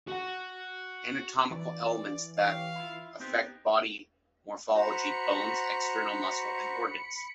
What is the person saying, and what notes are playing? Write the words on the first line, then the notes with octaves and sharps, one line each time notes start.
Anatomical elements that affect body morphology: bones, external muscles and organs.
F#4 F#5
E3 D5
G4 C#5 F5
E4 F4
B3 C4 D#4 G4
F#4 C5 A#5 B5 C#7